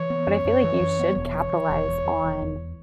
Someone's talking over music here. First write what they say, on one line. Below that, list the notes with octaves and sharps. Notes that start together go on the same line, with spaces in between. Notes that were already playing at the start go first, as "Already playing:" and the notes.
but I feel like you should capitalize on
Already playing: E3 C#5
B3
F#2
F#2
E3
F#2
B3
E1 C#5
E3
E3
E1
E2
E3
E1
E2